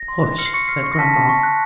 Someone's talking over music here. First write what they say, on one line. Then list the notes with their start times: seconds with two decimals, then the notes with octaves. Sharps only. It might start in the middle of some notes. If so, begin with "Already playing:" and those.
"Hush!" said grandma.
Already playing: A#6
0.08 C6
0.23 F#6
0.38 F6 C#7
0.46 C7
0.54 C#6 C#7
0.68 F6 C7
0.84 C#6
0.94 A#6
0.99 A5 B6
1.14 A5
1.29 C#6
1.43 F#6